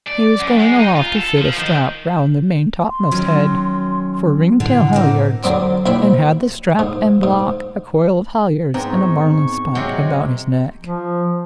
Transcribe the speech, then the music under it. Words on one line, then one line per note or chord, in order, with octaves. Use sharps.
He was going aloft to fit a strap round the main top-mast-head, for ringtail halyards, and had the strap and block, a coil of halyards and a marline-spike about his neck.
D5
F#2
G#3
D#4
F4
A4
F3
D#3
C6
D#3 F#3 C#4
A2 D3 F#5
A#3 C4 D#4
D3 F#3 G3 C4
A#1 C4 E4 C5 E5
G#2
G#2
G#2 B3 C4 A#5
C#6
C3 F#3 G#3
F3